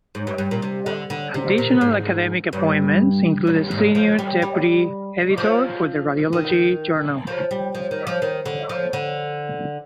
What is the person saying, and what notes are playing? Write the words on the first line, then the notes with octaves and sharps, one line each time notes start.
Additional academic appointments include the senior deputy editor for the Radiology journal.
G#2
G2
G2
A#2
C3
D3
D3
C3
A#2
G#2
G2
G2
G#2
F3
G3
G3
F3
D#3
F3
G3
F3
D#3
F3
D#3
D3
F3
D3